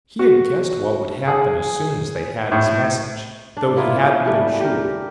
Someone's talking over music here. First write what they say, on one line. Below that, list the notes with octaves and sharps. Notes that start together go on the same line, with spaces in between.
He had guessed what would happen as soon as they had his message, though he hadn't been sure.
F#4
G#4
A2
D4
A#3 B3 E4 F4
E3 G3 A3
G4 A#4